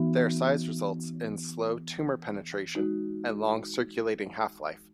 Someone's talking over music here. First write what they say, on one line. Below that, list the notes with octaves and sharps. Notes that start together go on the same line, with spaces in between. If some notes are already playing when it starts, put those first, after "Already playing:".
Their size results in slow tumor penetration and long circulating half-life.
Already playing: E3 B3 D#4 F#4
G#3 D#4 F#4